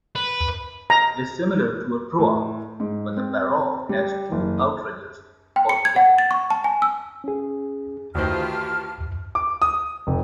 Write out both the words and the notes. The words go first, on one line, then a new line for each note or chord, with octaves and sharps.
It is similar to a proa, but the paraw has two outriggers or katig.
B4
A#5
A2
G#2
C4
G3
F#1
G5
C#7
G#6
F#5
A6
C#6
A5
G#5
E6
C#4 G#4
D2 D#3 F4 G4 B4 C5 A5 F6
D6
D#6
F1